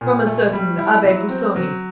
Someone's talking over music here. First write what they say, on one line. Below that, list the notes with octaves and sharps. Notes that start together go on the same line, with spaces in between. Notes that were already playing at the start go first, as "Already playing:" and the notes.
"From a certain Abbe Busoni."
A#2
A3
G3
E4
F#3
C4
F#3